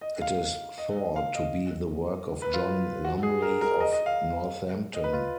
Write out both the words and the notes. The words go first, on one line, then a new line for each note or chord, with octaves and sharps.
It is thought to be the work of John Lumley of Northampton.
D#5
F5
D#5
D#5
F5
D#5
B4
F4
F#4
G#4
A#4
A#4
D#5
D#5
F5
D#5
B4
F4